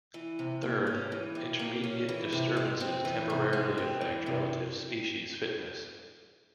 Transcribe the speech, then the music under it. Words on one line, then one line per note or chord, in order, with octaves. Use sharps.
Third, intermediate disturbances temporarily affect relative species fitness.
E3
C3
A#3
C#4
E3
C3
A#3
C#4
E3
C3
G#3
C4
E3
C3
G#3
C4
E3
C3